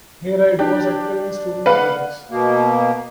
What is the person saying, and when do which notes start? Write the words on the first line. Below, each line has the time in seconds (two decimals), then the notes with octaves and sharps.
Hareide was active in student politics.
0.59 D4 G4
1.66 B4 F5 F#5
2.31 B2 A#3